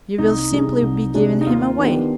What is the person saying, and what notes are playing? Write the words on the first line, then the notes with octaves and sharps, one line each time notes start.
You will simply be giving him away.
C2 D#4
C3 G3 D4 G#4
C2
C3 G3 D4 G#4
D#4
D#2 F4
D#3 B3 D4 G4